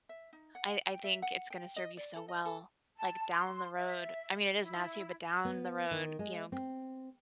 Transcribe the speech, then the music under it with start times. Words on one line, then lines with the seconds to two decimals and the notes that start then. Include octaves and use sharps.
I I think it's gonna serve you so well, like, down the road, I mean it is now, too, but down the road, you know, g
0.09 E5
0.33 D#4
0.55 F#5
0.87 G5
1.04 E5
1.22 F#5
1.50 G5
1.76 D#5
1.97 D5
2.16 A4
2.28 D#5
2.45 A4
2.97 A5
3.31 C6
3.76 E5
4.63 E4
5.45 B3
5.91 D#3
6.19 G#3
6.52 C4